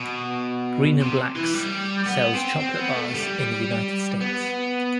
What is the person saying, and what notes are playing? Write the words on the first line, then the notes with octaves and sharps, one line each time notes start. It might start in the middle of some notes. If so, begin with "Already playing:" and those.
Green and Black's sells chocolate bars in the United States.
Already playing: B2
C3
E3
G3
B3
C4
C4
B3
A3
G3
B3